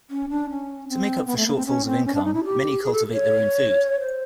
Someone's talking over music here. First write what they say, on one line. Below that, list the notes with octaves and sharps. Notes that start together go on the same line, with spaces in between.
To make up for shortfalls of income, many cultivate their own food.
C#4
D4
C#4
C4
B3
A3
A#3
C4
C#4
C4
C#4
D4
D#4
E4
G4
G#4
A4
C#5
C5